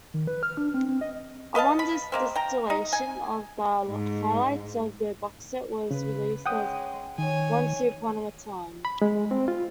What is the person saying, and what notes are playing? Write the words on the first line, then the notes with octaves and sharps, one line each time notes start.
A one-disc distillation of the highlights of the box set was released as Wonsuponatime.
D#3
B4
F6
D4
C4
C4
D#5
B4 D#5 F5 A5
B5
G#3 A#3 C4
G5 A#5
D#4
G#5
G#2
C#3 B4
G#3 C#4 F#5 G5 D#6
D#3 C#5 G#5
B5
G#3
C4
F4